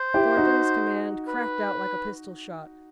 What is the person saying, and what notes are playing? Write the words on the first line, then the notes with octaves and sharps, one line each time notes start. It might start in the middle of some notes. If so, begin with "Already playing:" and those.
Thornton's command cracked out like a pistol-shot.
Already playing: C5
E4 G4
D#4 F#4
B4